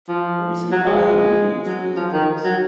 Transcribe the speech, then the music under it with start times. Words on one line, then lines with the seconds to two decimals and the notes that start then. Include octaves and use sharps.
It received positive reviews from music critics.
0.09 F3
0.72 F#3
0.87 G#3
1.66 F#3
1.96 F3
2.13 D#3
2.44 F#3